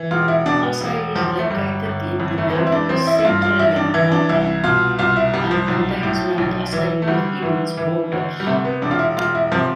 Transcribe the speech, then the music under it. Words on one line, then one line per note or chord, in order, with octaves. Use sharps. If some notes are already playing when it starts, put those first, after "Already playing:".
Asahi is located in mountainous central Yamagata, and contains Mount Asahi within its borders.
Already playing: E3
E1 F4
E4
B2 D4
B3
E1
E2 F3
A3
G1 G3
G1
F2
A3
B3
E3 C4
E4
D4
A1 C4
E4
E4
G2 F4
F4
A1 E4
D4
E3 E4
D4
C2 E4
B2 F4
C2 F4
E4
C2 G3
F3
B1
A2
B1
E3
A3
D2 G3
E3
E3
D2
G3
C3 A3
B3
E1 D4
F4
E4
E1 F4
E4
C3 F3